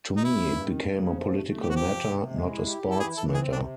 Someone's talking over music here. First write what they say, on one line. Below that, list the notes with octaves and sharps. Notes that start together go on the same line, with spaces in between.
To me, it became a political matter, not a sports matter.
D#4
G2 E4
G2
D#3
G2
C#3
F3
A3
A3
F3 G4
F#4
C3 G4
C3
C3
G#3
E4
G4
E4
A4
E3 G#4
E3 A4
C4 G#4
C3 D4